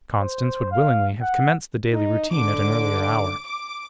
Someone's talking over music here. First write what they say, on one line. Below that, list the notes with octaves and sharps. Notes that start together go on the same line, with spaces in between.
Constance would willingly have commenced the daily routine at an earlier hour.
C5
F5
F#5
D#4
G#2 D3 D6
D6